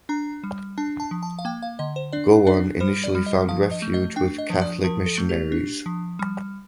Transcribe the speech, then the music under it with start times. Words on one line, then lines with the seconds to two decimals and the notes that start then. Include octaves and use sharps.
Gowon initially found refuge with Catholic missionaries.
0.09 D4 A#5
0.44 G3
0.78 D4 A5
1.00 A5
1.11 F3
1.23 A5
1.39 F5
1.45 A#3 G5
1.62 F5
1.79 D3 D#5
1.96 C5
2.13 D4 D5
2.47 D4 D5
2.80 G3 C5
3.04 D5
3.15 G3
3.26 D#5
3.48 F3 F5
3.71 D#5
3.82 A3
3.94 D#5
4.16 D4 G5
4.38 D#5
4.50 F3
4.61 D5
4.84 F3 A#4
5.06 A4
5.18 A3
5.29 G4
5.52 D4
5.86 F3
6.19 G3